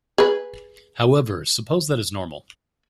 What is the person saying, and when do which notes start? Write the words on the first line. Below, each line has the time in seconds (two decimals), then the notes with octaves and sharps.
However, suppose that is normal.
0.18 G#4 B4